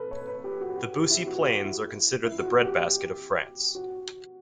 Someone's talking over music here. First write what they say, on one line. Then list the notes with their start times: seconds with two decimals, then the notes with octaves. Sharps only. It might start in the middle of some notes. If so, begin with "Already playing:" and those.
The Beauce plains are considered the breadbasket of France.
Already playing: A4 B4
0.11 C#5
0.27 B4
0.44 G4
0.61 F#4
0.77 F#4
0.93 G4
1.10 E4
1.27 F#4
1.39 G4
1.51 F#4
1.64 E4
2.26 E4
2.38 F#4
2.51 F#4
2.63 G4
3.75 F#4